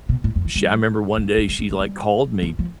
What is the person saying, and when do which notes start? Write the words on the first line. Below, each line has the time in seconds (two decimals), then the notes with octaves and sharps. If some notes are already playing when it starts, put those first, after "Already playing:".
sh I remember one day she like called me
0.09 B2
0.24 A2
0.36 F2
0.45 E3
0.56 G3
1.18 A3
1.38 A3
1.49 G3
1.59 F3
1.70 A3
1.80 G3
2.43 F3
2.59 F3